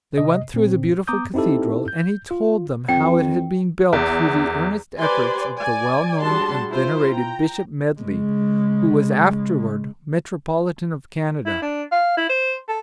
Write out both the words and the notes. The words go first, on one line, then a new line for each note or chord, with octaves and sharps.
They went through the beautiful cathedral, and he told them how it had been built through the earnest efforts of the well-known and venerated Bishop Medley, who was afterward Metropolitan of Canada.
C3 D#5
A#2 C4
B3 A#5 D6 D#6 G6
C4 D#4 E4 G4 A4
G6
F4
F2 G5
E2
G4 B4 C5 D5 G#5 C6
D5 G#5
G3 D4 F#4 G#4 A5 C6
E4 F4 C5
G5 A#5
C#3 G#3
E4
D4
F5
E4
C5
A4